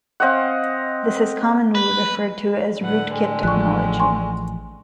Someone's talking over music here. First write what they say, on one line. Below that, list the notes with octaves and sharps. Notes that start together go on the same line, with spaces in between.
This is commonly referred to as rootkit technology.
C4 D#5 F5 F#5
B4
A2 D3 B4 F#5
A2 G#3 G4
A1 F3 C#6 F#6
G#5 C6 C#6